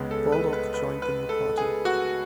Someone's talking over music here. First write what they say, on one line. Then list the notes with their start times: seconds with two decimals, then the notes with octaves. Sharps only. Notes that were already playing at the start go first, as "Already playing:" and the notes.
Baldock joined the new party.
Already playing: C#2 C#3 G#3 B3
0.11 A4
0.32 B4
0.53 B4
0.74 B4
1.02 B4
1.29 A4
1.58 G#4
1.85 F#4